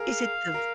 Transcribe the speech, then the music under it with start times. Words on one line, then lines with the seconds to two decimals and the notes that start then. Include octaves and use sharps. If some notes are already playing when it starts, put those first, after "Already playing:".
is it the v
Already playing: G#4 A#4 F5
0.54 A#4